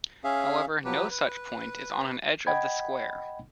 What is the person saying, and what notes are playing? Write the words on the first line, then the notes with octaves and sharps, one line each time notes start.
However, no such point is on an edge of the square.
C#4 G#4 E5 F5
F3 F#3 G4 B4
B4
D#5 F#5 G5 B5 G#6